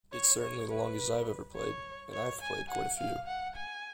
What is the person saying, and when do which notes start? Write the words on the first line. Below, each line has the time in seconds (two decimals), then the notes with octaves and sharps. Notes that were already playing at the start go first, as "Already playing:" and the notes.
It's certainly the longest I've ever played, and I've played quite a few.
0.12 C#5
0.41 C#5
0.70 B4
1.55 C#5
2.13 C#5
2.41 G#5
2.69 F#5
2.98 F5
3.27 F#5
3.55 G#5